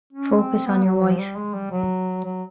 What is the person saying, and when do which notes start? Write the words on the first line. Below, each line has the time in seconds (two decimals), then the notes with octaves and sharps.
Focus on your wife.
0.13 C#4
0.39 C4
0.66 B3
0.84 F#3
1.01 F3
1.19 G3
1.36 G#3
1.54 G3
1.71 F#3
2.25 F#3